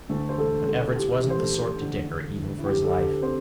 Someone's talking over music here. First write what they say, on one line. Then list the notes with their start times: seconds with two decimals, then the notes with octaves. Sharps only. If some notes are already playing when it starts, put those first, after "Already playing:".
But Everts wasn't the sort to dicker even for his life.
0.09 D2 A3 A4
0.29 C5
0.38 E1 A3 A4
0.66 E1 A3 A4
0.88 A4
0.95 A2 G4
1.23 A1
1.30 C5
1.37 A3 A4
1.52 A1
1.80 D3
2.08 D3
2.37 D3
2.59 E4
2.65 D2 G4
2.83 A4
2.94 D2 G4
3.22 C4 C5